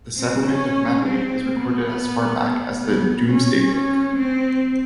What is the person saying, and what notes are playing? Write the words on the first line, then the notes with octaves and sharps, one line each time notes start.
The settlement of Madeley is recorded as far back as the Domesday Book.
C4
C#4
C4
B3
B3
B3
C#4
C#4
C4